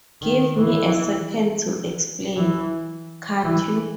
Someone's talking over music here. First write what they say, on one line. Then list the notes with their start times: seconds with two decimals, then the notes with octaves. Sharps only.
Give me a second to explain, can't you?
0.22 D#3
0.58 E3
2.37 E3
3.44 E3